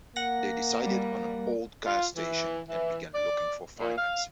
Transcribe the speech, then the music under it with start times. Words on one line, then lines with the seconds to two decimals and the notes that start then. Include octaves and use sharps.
They decided on an old gas station and began looking for financing.
0.16 A#3 F#5 A#6
0.82 G3
1.86 F4
2.16 E3
2.69 E3
3.15 D5
3.79 A#2
3.98 F5